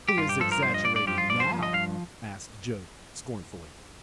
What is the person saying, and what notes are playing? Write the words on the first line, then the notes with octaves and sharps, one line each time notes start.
"Who is exaggerating now?" asked Joe scornfully.
G4
G2 F4
G4
F3 A4
A#4
G2 C5
D#5
G2 D5
D5
F3 G4
F4
G2 D5
C5
F3
D#5
G2 F5